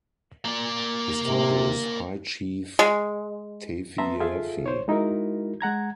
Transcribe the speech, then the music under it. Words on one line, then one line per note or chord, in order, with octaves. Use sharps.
His title is High Chief Tafiaiafi.
A#3 D5
C3
G#3
B3 B4 E5 A5 A#5 C6
F4 G#4 A4 E5 F5
C5 C#5
G#3 D#4 E4 F#4 A#4
G#3 F#5 A#5 G#6